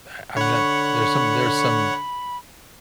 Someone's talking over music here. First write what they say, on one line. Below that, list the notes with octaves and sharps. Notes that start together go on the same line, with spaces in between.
uh, I'm not there's some there's some,
D3 C#5 F#5 B5 C#6